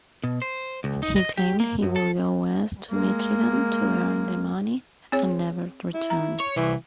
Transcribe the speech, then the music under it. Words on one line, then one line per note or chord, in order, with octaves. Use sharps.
He claimed he would go west to Michigan to earn the money...and never returned.
B2
C5
C#2
D#4
D#5
G4
A#3
F#2
A4
G#3 A#3
C4 G#4 C#5
E4
A#5
C#5
C2 E3